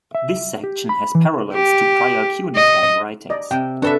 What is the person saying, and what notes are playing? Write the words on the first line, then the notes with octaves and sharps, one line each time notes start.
This section has parallels to prior cuneiform writings.
E5
G4
B5
E3
G4
D#5
D5 D#5
C3 G5
D4 F#4 A4 B4 E5